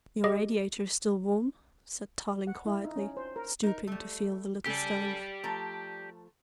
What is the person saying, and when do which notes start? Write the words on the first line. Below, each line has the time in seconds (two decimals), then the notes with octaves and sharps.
"Your radiator is still warm," said Tarling quietly, stooping to feel the little stove.
0.24 G4 G#4 D#5
2.47 F#5
2.66 E4
2.85 D#4
2.96 C#4
3.17 C5
3.36 A#4
3.63 D#4 A#4
3.87 G3 A3
4.66 C#3 G4 A4 D5
5.44 F3 A3 A#5